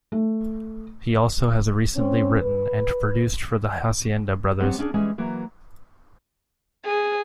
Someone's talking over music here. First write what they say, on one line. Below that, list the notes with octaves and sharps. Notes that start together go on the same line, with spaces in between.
He also has recently written and produced for the Hacienda Brothers.
A3
C4 C#4
B4
F#3 B3 C4 G4 C#5
C#4 D4 G#4
E3 G3 G#3 C#4 G#5
E3 F#3 A#3
G#4